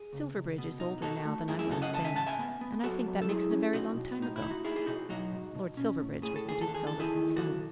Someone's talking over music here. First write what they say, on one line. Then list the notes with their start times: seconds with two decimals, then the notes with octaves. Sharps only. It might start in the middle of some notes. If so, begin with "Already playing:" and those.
"Silverbridge is older now than I was then, and I think that makes it a very long time ago." Lord Silverbridge was the Duke's eldest son.
Already playing: G#4
0.13 C#2
0.35 C#2
0.58 B2
0.80 D#4
1.02 D#4 F#4 A4
1.25 A3
1.48 F#2 E4 G#4
1.59 E4 G#4
1.70 C#3 F#4 A4
1.82 D#5 F#5
1.93 G#3 F#5 A5
2.05 E5 G#5
2.15 G#2 F#5 A5
2.27 E5 G#5
2.39 B3
2.61 B3
2.83 F#3 F#4 A4
3.06 F#3
3.22 A4
3.29 G#3 E4 G#4
3.51 C#4
3.73 B2 D#4 F#4
3.96 B2
4.19 A2 D#4
4.36 E4
4.42 D#4
4.51 F#4
4.64 D#4 E4 G#4
4.76 G#4
4.86 B2 D#4 F#4
5.09 F#3 D#4 F#4
5.33 G#2
5.55 B2
5.77 C#4
6.00 A2
6.22 A2 G#4
6.36 A4
6.45 D#2 G#4
6.61 A4
6.67 E3
6.75 G#4
6.87 D#2 A4
7.00 E4 G#4
7.13 D#3
7.36 B1 F#4 A4